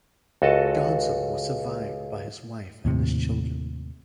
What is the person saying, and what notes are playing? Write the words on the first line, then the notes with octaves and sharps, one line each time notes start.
Johnson was survived by his wife and his children.
C#2 F#4 A4 D#5 A5
D#2 A2 C3